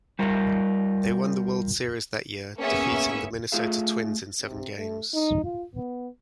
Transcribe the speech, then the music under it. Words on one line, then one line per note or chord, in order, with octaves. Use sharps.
They won the World Series that year, defeating the Minnesota Twins in seven games.
G3 F4 A#4
A#3 B3 C#4 G#4 E5 C#6
A3 F4 G#4 E5 F5
C3
A3
D#4
F4
B3